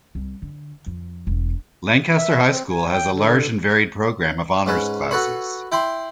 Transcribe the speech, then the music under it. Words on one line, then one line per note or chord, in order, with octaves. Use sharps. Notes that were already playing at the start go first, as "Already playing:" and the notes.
Lancaster High School has a large and varied program of honors classes.
C2
D3
F2
E1
E5
C4
G#5
G5
D3
G#2 C#4 B4
F#4 A4 B4 C#5 B5
E4 G5 B5 C6